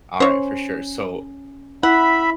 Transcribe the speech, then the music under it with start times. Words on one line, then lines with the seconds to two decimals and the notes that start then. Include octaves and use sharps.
All right, for sure, so,
0.20 C#4 C5 C#5
1.83 E4 E5 F#5 B5